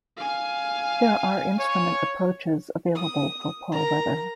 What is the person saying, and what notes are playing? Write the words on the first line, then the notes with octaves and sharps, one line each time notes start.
There are instrument approaches available for poor weather.
F5 G#5
C#5
D#6
A#4 A#5